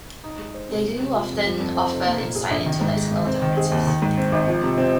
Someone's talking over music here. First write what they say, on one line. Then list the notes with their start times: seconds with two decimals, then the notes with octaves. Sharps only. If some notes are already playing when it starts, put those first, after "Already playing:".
They do often offer insight into lexical differences.
0.24 D#4
0.39 G#3
0.54 C5
0.69 C3
0.84 G#3
1.00 C3
1.15 F4
1.30 F2
1.45 F3
1.60 F2
1.75 C4
1.91 F1
2.06 A#3
2.21 A#2
2.35 G#4
2.51 A#1
2.66 D#3
2.81 G#2
2.96 G#3
3.11 G#1
3.27 C4
3.42 D#3
3.57 G#4
3.72 D#2
3.87 D#3
4.02 G#2
4.17 C4
4.32 G#1
4.48 F3
4.63 C3
4.78 C4